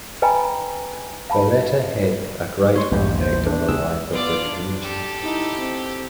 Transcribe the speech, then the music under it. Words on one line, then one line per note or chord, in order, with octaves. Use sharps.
The latter had a great impact on the life of the community.
B4 D#5 G5 G#5 A#5 B5
F5 A5 B5
G#3 C#5 C6 C#6
A#1 E2 G2 G4
C5
D4
C#2 G#4 E6
B3 F4 D5 D6
D4
G4 A4
D#4 E4
C4